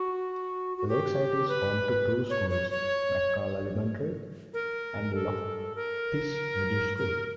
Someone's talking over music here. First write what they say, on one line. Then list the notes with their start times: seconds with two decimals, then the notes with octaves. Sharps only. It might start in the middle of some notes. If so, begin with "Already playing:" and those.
Lakesite is home to two schools: McConnell Elementary and Loftis Middle School.
Already playing: F#4
0.77 F#4
0.88 G4
1.48 B4
2.30 C#5
2.50 C#5
2.70 C#5
4.53 A#4
5.14 A4
5.75 A#4
6.97 A#4